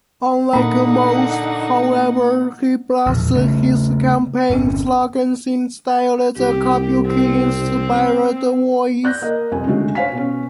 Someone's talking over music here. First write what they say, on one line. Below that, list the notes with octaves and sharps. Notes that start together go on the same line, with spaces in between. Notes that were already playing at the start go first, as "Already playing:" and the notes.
Unlike most, however, he blasts his campaign slogans in a stylized, kabuki-inspired voice.
A#2 D3 A#3 D#4 F#5 B5
E1 A#1
C#3 A3
G1 C4 C#4
C2 G4
C4
D5 F#6 G6 A#6
A#3 D#5
C2 F2 D#5 G#5
D3 G#3 A3 C#4 F#4
C5 C#5 F5 G#5 B6
B2 C#4